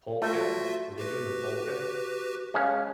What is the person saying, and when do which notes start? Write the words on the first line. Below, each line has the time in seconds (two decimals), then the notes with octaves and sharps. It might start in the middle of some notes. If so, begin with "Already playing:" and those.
Polka? Were they doing the polka?
0.22 A3 F4 F#4 E5
0.98 F#4 G4 B4
2.54 G#3 C#4 F5